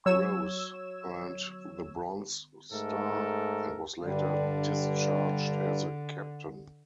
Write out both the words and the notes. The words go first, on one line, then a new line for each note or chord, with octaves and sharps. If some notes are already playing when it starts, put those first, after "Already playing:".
Gross earned the Bronze Star, and was later discharged as a Captain.
F#3 C#5 E6 G#6 E7
G#2 A3 A4 A#4
G2 D3 G3